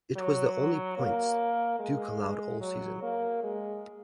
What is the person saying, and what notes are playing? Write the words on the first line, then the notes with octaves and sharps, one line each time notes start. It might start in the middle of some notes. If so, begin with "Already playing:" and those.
It was the only points Duke allowed all season.
F#3
A#3
G#3
F#3
A#3
G#3